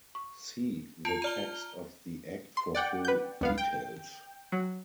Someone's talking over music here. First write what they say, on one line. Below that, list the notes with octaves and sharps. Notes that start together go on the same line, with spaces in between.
See the text of the act for full details.
C#6
F4 A5 D7 F7
D5 A#5 F6 D#7 G7
C6
D5 F#5 G5
B4 G6
C#2 B3 F5
G5
F#3